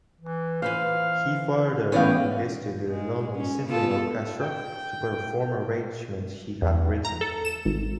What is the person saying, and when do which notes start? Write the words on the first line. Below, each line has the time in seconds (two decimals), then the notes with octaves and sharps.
He further enlisted the London Symphony Orchestra to perform arrangements he had written.
0.21 E3
0.62 E3 B4 C5 F5
1.92 A2 E3 B3 C#4 D5 F5 G5
2.89 G#3
3.35 C#4
3.66 B3 F4 A4
4.41 G5
6.62 E2
7.05 A#5
7.21 A4
7.45 E7
7.65 G#1